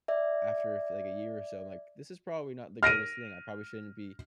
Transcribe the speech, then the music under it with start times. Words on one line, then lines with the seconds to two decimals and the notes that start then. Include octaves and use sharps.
after a f like, a year or so, I'm like, "This is probably not the greatest thing. I probably shouldn't be
0.08 D5 E5
2.83 F6 A#6 D7 D#7